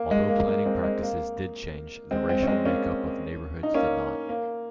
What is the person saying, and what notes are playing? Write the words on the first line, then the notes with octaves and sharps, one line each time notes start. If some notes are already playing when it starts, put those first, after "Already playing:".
Although planning practices did change, the racial make-up of neighborhoods did not.
Already playing: A#3
G#3
A#3
A#3
G#3 C4
G#3
A#3
G#3 C4
G#3 C4
C#4
G#3 C4
A#3 C#4
D#4
A#3 C#4
A#3